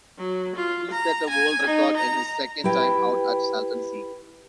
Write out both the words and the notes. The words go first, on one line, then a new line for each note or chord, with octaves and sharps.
He set a world record in his second time out at Salton Sea.
F#3
F4
A#5
G#5
D#4
A#5
E4 G4 B4 G5